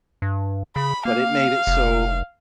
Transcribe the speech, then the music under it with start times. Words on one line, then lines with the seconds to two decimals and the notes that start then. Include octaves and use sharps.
but it made it so,
0.22 G2
0.76 C#3 B5
1.05 A#3 F5
1.67 F1